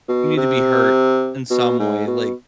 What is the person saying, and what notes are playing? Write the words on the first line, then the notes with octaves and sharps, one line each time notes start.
you need to be hurt in some way, like
B2
C3
B2
G#2
B2